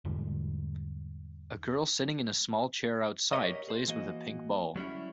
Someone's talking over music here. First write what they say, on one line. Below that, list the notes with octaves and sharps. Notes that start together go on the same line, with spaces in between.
A girl sitting in a small chair outside plays with a pink ball.
E2 G#2 D3 G3
G4 A4 A#4 C#5 D#5
G#4 C5
E3 A#3 F#4 D#5
F#3 G3 C#4 E4